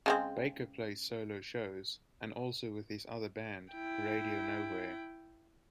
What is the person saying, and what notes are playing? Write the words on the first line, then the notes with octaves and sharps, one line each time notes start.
Baker plays solo shows, and also with his other band, Radio Nowhere.
C#3 G#3 C4
E4 G5